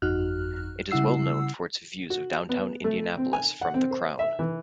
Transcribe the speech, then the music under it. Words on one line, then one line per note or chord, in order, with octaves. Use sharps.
It is well known for its views of downtown Indianapolis from The Crown.
G1 F2 D#4 F#4 F6 F#6
C#3 G3 E4 F#5 E6 C7
F#4
B3
A3
C4
G#5
F#5
C4
C5
E5
E3